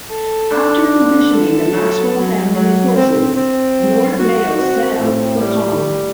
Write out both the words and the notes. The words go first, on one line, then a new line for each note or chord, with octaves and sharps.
After provisioning the Maxwell family with horses, Lord Mayo set out for Cong.
A4
D4
D3
A4
F#3
F#3
F#3
C4
C4
F#3
F#4
C4
A2
G3
A2